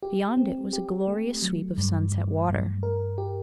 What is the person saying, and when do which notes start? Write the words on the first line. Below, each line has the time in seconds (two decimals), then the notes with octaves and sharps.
Beyond it was a glorious sweep of sunset water.
0.03 G4
0.37 C4
0.73 G4
1.08 A3
1.42 F#3
1.78 G2
2.12 G2
2.48 G2
2.83 A#4
3.18 G4